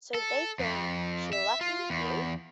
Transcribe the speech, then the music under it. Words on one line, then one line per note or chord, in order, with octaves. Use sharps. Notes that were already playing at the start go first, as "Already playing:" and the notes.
So they think she left it with you.
A4
F2
E5
F4
E2